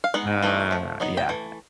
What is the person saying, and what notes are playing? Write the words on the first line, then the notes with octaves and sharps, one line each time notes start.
Uh, yeah.
F5
G#3 B3 D#4 F#5
E3 A3 C4 D#4
F3 A3
F#3 B3 D#4
G5
E3 A3